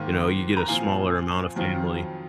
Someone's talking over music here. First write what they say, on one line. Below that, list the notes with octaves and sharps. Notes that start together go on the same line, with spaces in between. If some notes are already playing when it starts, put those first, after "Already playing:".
you know, you get a smaller amount of family.
Already playing: G#2 D#3 A#3
A#5
A#2 F3 C4 F5 G#5
F2 D#3 F#3 C4 F4